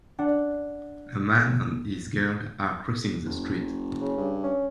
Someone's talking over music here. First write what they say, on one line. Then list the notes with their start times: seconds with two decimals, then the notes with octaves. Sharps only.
A man and his girl are crossing the street.
0.19 D4 F#5
3.26 F#1
4.01 C#3
4.17 G2
4.44 C#4